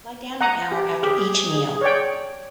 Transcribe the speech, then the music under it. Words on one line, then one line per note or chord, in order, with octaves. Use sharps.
Lie down an hour after each meal.
F#5 A#5 D#6
G4
G4 G#4
C#5 D5 G5